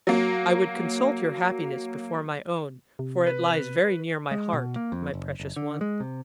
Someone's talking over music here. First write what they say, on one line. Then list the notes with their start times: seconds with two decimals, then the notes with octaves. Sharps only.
I would consult your happiness before my own, for it lies very near my heart, my precious one.
0.07 F#3 A#3
2.99 C3
3.27 B4
4.31 G#3
4.53 B2
4.76 A#3
4.92 F2
5.14 F#1
5.40 F#1
5.56 D3
5.81 G#3
6.00 C3